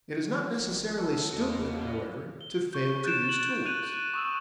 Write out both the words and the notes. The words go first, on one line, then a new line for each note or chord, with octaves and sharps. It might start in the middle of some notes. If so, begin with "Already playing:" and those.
It is not necessarily stupid however, to fail to use tools.
F3 F#3
F1 F2
F#2 A4
E2 C#3 A#3 F#4 D#5
G7
C#6 G6
F#6 G6 A6 D7 E7
A6 F#7
F#6 G6 D#7 F7
C#6 D#6 E6